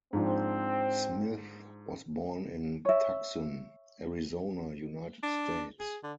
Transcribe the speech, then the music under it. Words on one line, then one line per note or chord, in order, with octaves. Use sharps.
Smith was born in Tucson, Arizona, United States.
G#2 F3 C4 D4
C#5 E5
D4
G#4
D3